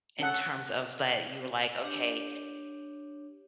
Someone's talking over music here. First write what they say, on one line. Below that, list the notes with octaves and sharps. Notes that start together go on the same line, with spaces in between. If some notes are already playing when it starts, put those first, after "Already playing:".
in terms of that you were like, "Okay,
C#4 A4 F#5
D4 G4 C#5